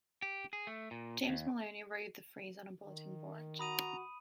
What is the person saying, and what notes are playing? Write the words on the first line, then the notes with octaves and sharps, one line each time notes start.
James Maloney, wrote the phrase on a bulletin board.
G4
G#4
A3
A#2
D#2
D#3
F#4 A#5 B5 D#6 D#7